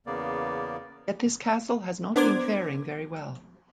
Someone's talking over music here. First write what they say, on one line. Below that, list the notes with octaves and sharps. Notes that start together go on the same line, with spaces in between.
Yet this castle has not been faring very well.
E2 C#3 A#3 B3 D5
B3 D4 A#4 C5 D6 G#6